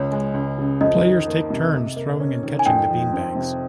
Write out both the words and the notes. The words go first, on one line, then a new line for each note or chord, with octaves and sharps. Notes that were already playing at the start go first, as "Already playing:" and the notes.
Players take turns throwing and catching the bean bags.
Already playing: C#2 C#5
G#3
C#2
C#3
F2 D#5
D#3
A#3
C3
C3
A#3
C#4
D#3
G#5
F2 G5
F3
C4
C3